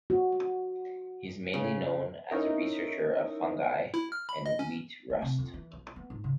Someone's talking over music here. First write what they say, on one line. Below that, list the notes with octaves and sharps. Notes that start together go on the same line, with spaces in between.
He is mainly known as a researcher of fungi and wheat rust.
F#4
C#3
C#4 D#4 E4 A#4
E4
F6
B5
D#5
C#4
A3
C3
F2
E3
B1
B3
G#2
C#3